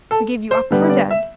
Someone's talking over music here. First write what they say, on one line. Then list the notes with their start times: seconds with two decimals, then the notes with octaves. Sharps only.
We gave you up for dead!
0.11 A4
0.51 C5
0.71 D3 G3 B3
0.90 D5
1.11 E5